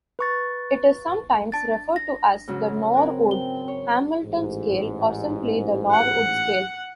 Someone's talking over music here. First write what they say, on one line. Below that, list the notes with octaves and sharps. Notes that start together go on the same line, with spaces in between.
It is sometimes referred to as the Norwood-Hamilton scale or simply the Norwood scale.
B4 C#6 A6
D4 A5 A6
A#6
G#2 C#3 F#3
C4 A#4 F#5 G#5
G7
C#5
A1 G#2
F#5